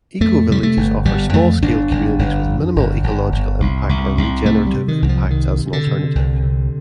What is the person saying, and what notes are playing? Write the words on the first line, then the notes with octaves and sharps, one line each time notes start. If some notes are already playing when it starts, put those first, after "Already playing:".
Ecovillages offer small-scale communities with minimal ecological impact or regenerative impacts as an alternative.
F2 A3
C3 G3
A3
G1
G1 G3
F2 A3
G1 D4
G1
G1
F2
G1
G1
G1
C2
C2
C2
C3 A3
G3
C3
D#3
C2
F3
C3 D#3
C3
D3
C3
C2
C3